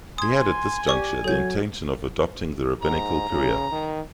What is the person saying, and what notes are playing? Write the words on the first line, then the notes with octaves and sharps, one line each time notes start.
He had at this juncture the intention of adopting the rabbinical career.
G#5 C6 D#6 G#6
G4 D5 C#6 D6
F#3 A4 C#5 G6
G#2 A#5
C#3
D#3